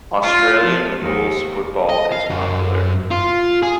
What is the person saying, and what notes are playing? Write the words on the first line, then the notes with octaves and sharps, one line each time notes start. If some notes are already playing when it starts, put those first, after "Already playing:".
Australian rules football is popular.
F4
F3
D#2
D#5
F5
F#2
F4
G#4